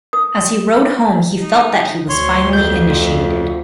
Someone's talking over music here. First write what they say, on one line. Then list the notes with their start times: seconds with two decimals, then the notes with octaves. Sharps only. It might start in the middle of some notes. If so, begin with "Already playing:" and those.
As he rode home he felt that he was finally initiated.
0.13 D#6
1.39 D#4
2.09 D2 C#5 C6
2.53 F2 G6
2.90 F4